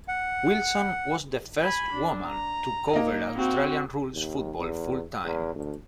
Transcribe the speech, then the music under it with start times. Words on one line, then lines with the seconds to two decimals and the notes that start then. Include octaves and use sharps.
Wilson was the first woman to cover Australian Rules football full-time.
0.08 F#5
1.60 G#5 B5
1.93 D4
2.26 A#5
2.93 A#3 D#4
3.36 C4 F#4
4.13 D#2
4.57 E2
5.24 E2
5.55 D2